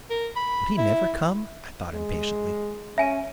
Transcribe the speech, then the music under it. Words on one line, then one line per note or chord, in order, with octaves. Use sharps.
Would he never come? I thought impatiently.
A#4
B5
E4
G#3
C#4 E5 G#5 D#7